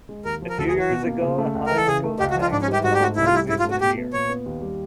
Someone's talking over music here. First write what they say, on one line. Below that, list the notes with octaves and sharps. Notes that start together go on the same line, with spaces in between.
A few years ago, a high school of textile also existed here.
G#3
D#2 A#4
F3
A#4
D2 A4
G#4
E3
F#4
B2
A#3
C#3
A3
C#2
E3 A#4
A4
C#3 G#4
A3
C#2 G4
F#4
F3
F4
G#2 D4
C#4
G3
G4
G#2 F#4
G4
A3 F#4
C2 E4
F4
G3 E4
G#2 E4
F4
A3
F#4
B2 G4
B3
A#2 C#5
B3
D#2
G3